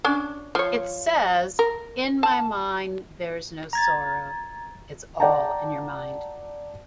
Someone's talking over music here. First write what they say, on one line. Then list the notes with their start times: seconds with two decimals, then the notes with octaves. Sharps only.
It says: 'In my mind there's no sorrow...' It's all in your mind.
0.05 C#4 D4
0.55 F3 C#5
1.59 A#4
2.23 A5
3.73 A#5 G#6 A6
5.20 D5 F#5 G5 A5 A#5